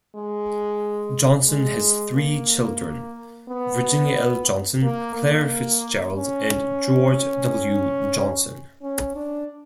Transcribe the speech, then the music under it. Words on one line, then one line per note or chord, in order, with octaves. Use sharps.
Johnson has three children: Virginia L. Johnson, Claire Fitzgerald, and George W. Johnson.
G#3
G#3
A#3
B3
A#3
A#3
C#4
C#4
D4